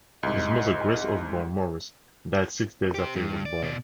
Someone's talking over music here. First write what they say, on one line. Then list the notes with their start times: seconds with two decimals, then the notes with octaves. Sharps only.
His mother, Grace Osborn Morris, died six days after he was born.
0.23 C2 G#2 D#5
2.94 G4 C5
3.15 G2
3.45 D5
3.62 B2 D5